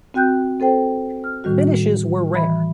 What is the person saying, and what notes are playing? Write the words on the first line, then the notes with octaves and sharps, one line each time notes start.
Finishes were rare.
C4 F#4 G5 F#6 G6
C4 A4 C5 G5
F6
A2 D#3 G3 F#4
E3 E5 B5